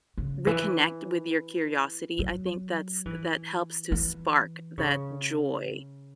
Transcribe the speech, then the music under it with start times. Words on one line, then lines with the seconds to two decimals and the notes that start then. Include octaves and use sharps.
reconnect with your curiosity, I think that's that helps to spark that joy
0.18 C#3
0.47 E3
2.19 F#3
3.06 E3
3.92 E3
4.78 C#3